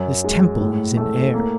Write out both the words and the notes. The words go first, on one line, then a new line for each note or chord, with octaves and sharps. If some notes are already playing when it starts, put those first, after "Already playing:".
This temple is in air.
Already playing: F#2
G#3
A2
A3
A#3